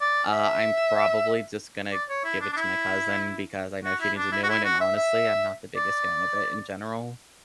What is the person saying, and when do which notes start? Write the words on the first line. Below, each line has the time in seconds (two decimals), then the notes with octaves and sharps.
uh, I'm probably just gonna give it to my cousin because I know she needs a new one, and honestly, I'm not the biggest fan of it in general.
0.01 D5
0.33 E5
1.92 D5
2.09 C#5
2.24 E4
2.41 D4
2.52 D4
2.57 E4
3.84 F#4
4.00 E4
4.17 D4
4.32 E4
4.43 F#4
4.49 E4
4.64 F#4
4.80 E5
4.96 E5
5.76 D5